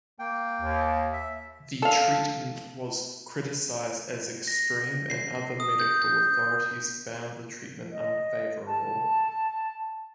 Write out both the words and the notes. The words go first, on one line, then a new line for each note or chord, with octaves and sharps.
The treatment was criticized as extreme and other medical authorities found the treatment unfavourable.
A#3 G5
D#2
E5
A4 F5
A#6
C7
D#6
G6
G6
D#5
A5